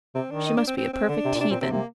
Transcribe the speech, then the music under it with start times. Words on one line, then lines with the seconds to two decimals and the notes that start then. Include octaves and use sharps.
She must be a perfect heathen.
0.15 C3 C4
0.31 D#3 D4
0.46 D#4
0.57 D4
0.67 C4
0.78 C4
0.93 C4
1.09 D3 D4
1.25 C3
1.35 A#2
1.40 C3 D4
1.51 A#2 C4
1.61 C3 C4
1.72 C3 A#3